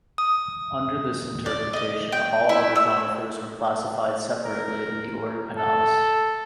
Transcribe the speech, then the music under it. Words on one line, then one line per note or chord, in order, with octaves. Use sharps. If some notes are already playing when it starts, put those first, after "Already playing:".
Under this interpretation, all other conifers were classified separately in the order Pinales.
D#6
D5
D#5
G5
E4
E6
A#4
A4